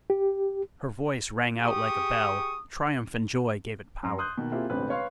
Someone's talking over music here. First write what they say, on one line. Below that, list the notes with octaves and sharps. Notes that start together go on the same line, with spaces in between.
Her voice rang out like a bell; triumph and joy gave it power.
G4
G4 G#4 C#6 D#6
F#2 A#5 C6
C6 D#6 F#6 G6
B2 D#3 A#3
A#3 C4 E4 F4 G4 G#4
E1 A1 D3 C4 B4 F#6
B4 C#5 F5 C6